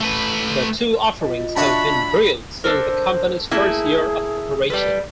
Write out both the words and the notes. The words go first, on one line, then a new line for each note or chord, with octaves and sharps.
The two offerings have been brewed since the company's first year of operation.
A3 B4
F4 D#5
D4 F#4 C#5 E5 A5 B5
D4 A4 A#4 C5
A3 A#3 E4 G#4
G3 A4 B4